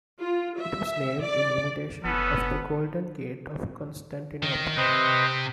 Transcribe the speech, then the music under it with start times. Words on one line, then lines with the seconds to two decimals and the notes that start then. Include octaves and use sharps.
It was named in imitation of the Golden Gate of Constantinople.
0.22 F4
0.59 E5
1.22 D5
2.04 F#1 B3 C#4 A4 B4
4.43 D#3
4.77 C3 B4 C5 D#5